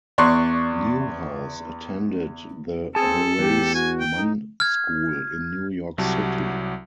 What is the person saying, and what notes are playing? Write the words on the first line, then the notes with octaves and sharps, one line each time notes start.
Newhouse attended the Horace Mann School in New York City.
E2 D5 C6 C#6 F#6
C4 G#4 A4 A5
E2 G4
F#4 G#5
G5
D#4
F6 G#6
C2 F#3 G4 A5